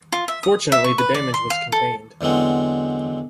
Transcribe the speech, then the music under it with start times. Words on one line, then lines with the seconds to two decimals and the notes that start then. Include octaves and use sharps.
Fortunately the damage was contained.
0.12 F4
0.28 E5
0.43 D#6
0.72 E5
0.84 C#6
0.98 B4
1.14 D5
1.34 C6
1.50 F5
1.72 A4
2.21 E2 D3 F#3 G#3 C4